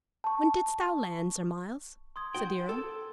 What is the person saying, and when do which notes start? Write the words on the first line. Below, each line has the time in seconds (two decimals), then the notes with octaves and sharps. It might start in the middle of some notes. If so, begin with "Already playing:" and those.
"When didst thou land, Sir Myles?" said the Earl.
0.24 A5 C#6
2.16 C6 D#6 G#6
2.35 F#4 G5
2.69 A4